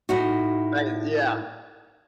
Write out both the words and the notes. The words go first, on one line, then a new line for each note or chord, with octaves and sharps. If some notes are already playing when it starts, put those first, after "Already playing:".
Right, yeah.
A2 D#4 F#4